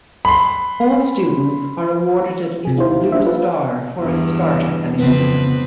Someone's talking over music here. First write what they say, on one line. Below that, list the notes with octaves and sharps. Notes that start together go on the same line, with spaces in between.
All students are awarded at least a blue star for a start at bilingualism.
B5 C6
C3 G#4
D#2 A#3 E4 C5
A#1 E5
F3 B4
E2 G2
F2 C#3 B3 C4 B4